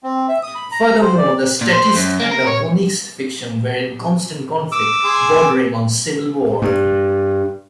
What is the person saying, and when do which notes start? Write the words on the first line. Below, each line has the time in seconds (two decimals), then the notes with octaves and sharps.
Furthermore, the "Statist" and "Vonckist" factions were in constant conflict, bordering on civil war.
0.03 C4
0.29 E5
0.43 D#6
0.55 B5
0.72 A#5
1.01 C5
1.18 D5
1.61 A#2
1.73 C5
1.96 F#2
2.19 A#3
2.31 A#4
2.47 C#5
4.72 D6 E6
5.04 G#4 G#5 C6
6.62 G2